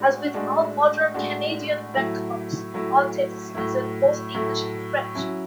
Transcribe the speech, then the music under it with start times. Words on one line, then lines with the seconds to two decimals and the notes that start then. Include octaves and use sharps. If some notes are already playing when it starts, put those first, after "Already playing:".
As with all modern Canadian banknotes, all text is in both English and French.
Already playing: A2 G#3 D4 F#4
0.34 A2 G#3 D4 F#4
1.14 A2 G#3 D4 F#4
1.94 A2 F#3 A3 E4
2.74 A2 F#3 A3 E4
3.54 A2 F#3 A3 E4
4.35 A2 F#3 A3 E4
5.15 F#3 C#4 E4